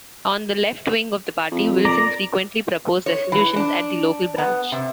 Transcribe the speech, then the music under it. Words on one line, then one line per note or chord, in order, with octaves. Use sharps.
On the left-wing of the party, Wilson frequently proposed resolutions at the local branch.
F2
A#4 D5 A#5
C#5
E3
D4
B3
C3